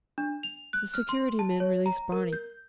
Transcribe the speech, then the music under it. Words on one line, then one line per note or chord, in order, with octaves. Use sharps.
The security men released Barney.
D4
F7
F#6
F6
C6
A5
C#5
A#5
A#4
G6